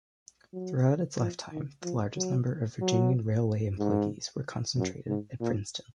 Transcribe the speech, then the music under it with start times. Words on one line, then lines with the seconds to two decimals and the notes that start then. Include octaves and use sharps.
Throughout its lifetime, the largest number of Virginian Railway employees were concentrated at Princeton.
0.54 F#3
1.19 F3
1.52 D#3
1.84 F3
2.16 F#3
2.81 F#3
3.79 G#2
4.76 F#2
5.08 G#2
5.41 A#2